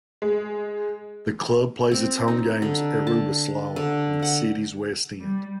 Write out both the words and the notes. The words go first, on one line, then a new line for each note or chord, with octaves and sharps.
The club plays its home games at Rubislaw in the city's west end.
G#3
C4
D#4
D3
A5
D3
F#5
G3